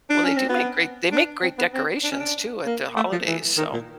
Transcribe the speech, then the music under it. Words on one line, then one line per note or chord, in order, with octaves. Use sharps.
Well, they do make great they make great decorations too at the holidays, so,
D4
C#4
C4
B3
D4
C4
B3
C4
D4
C#4
D4
A#3
A3
F3
E3
D#3
A#2